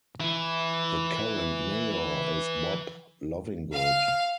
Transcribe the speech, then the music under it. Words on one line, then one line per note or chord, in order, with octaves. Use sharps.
The current mayor is Bob Lovingood.
E3 E4
F5